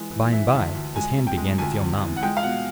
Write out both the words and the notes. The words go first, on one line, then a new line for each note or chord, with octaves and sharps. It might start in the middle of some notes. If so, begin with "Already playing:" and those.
By-and-by, his hand began to feel numb.
Already playing: E3 G#3
E3
E3 E5
D2
D2
G#3 G#5
C3
G5
G#3
D2 G#5
D2
E3
F#5
G#3 G5
F5
B2 F#5